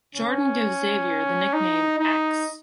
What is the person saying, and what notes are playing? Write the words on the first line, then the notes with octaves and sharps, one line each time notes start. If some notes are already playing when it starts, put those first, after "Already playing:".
Jordan gives Xavier the nickname "X".
C#4
D#4
D#4